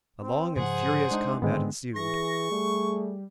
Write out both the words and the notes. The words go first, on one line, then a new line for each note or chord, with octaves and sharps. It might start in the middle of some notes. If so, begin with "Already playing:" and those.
A long and furious combat ensued.
C4
G#2 C#3 F3 G#4 C5 F#5
G#3 D4 D#4
G#2 D3 D#3 G#3 B3 C4
E3 G#4 C#6 A#6
G3 A3